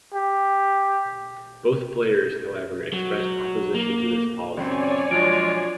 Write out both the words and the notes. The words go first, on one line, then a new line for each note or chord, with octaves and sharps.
Both players, however, expressed opposition to this policy.
G4
F#3
A#3
C#2 F#2 C4 C#5 D5 G#5
F3 F#3 G#3 D4 F4 D7